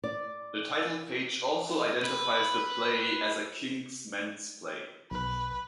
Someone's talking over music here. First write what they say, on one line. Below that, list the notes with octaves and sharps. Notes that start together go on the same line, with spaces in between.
The title page also identifies the play as a King's Men's play.
D5
B4
B1 B4